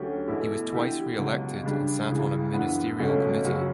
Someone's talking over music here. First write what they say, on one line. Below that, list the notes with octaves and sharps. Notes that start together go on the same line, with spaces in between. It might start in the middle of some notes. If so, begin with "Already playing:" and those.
He was twice reelected and sat on a ministerial committee.
Already playing: D2 D3 F#3 C#4 G4
E2 B2 A3 E4
D3 A3 E4 G4
C#2 B2 F#3
C#3 G3 D4 G4
C#2 C#3 E3
F#2 E3 B3 D4
C#2 B2 F#3 A3 C#4
F#2 C#3 F#3 C#4 F#4